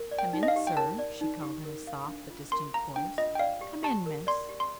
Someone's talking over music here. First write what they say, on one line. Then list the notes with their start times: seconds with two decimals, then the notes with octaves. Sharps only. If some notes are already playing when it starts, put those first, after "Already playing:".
"Come in, sir," she called in a soft but distinct voice; "come in, miss."
Already playing: A#4
0.11 D5
0.19 G5
0.33 D#4
0.43 D#5
0.48 F5
0.56 G4
0.67 G5
0.77 A#4 A5
0.99 D5
1.21 D#4
1.42 G4
1.65 A#4
1.87 F5
2.08 D4
2.30 F4
2.52 A#4 C6
2.74 F5 A#5
2.96 D4 G5
3.18 F4 D#5
3.35 G5
3.39 D5 F5
3.61 G4
3.83 G4 A5
4.06 A#4
4.27 D5 C6
4.49 G4
4.60 C6